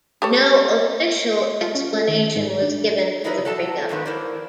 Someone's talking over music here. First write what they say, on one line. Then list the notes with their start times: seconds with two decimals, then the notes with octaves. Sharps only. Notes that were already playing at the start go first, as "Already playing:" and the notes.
No official explanation was given for the breakup.
0.22 G4 A4 C#5
1.61 F4
1.75 C#4
1.93 A4
2.08 D#3
2.36 G#2
2.62 D4
3.24 D#4 E4 A#4 B4 D#5
3.45 F#3 A4 A5
3.89 F2 G#2 D#3 B3
4.06 E4 A#4 C5 D5